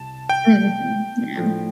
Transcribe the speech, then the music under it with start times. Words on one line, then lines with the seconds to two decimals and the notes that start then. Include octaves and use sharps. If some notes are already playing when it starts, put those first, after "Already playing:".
Mhm, yeah.
Already playing: C2 C3 G3 A5
0.29 G5
1.35 A2 F3 A3 D4